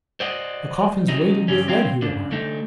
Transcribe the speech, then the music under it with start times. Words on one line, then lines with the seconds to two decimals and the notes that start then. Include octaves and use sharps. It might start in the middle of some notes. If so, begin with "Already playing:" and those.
"The coffin's weighted with lead!" he remarked.
0.20 C5 D5 D#5 F#5
1.08 C#3 F#3 D#4
1.48 G2 C#3 G3 C#4
1.68 C4 D4 C#5 F5 G5
2.02 C#3 D4
2.31 D3 A3 D#4